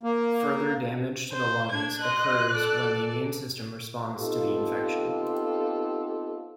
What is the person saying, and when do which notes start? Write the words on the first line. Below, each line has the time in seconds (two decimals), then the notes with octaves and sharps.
Further damage to the lungs occurs when the immune system responds to the infection.
0.03 A#3
1.33 C5
1.71 D4 G#6
2.01 D#5 C6 F#6
2.50 A4 D5
4.19 B3 C4 D#4 F4 G4 A4